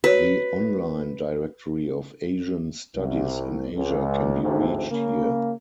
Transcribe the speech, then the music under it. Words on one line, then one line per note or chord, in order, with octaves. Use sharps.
The online Directory of Asian Studies in Asia can be reached here.
F#4 B4 C#5
C2
C#2
A1 D2 G#2 A3 C4
C#3 A#3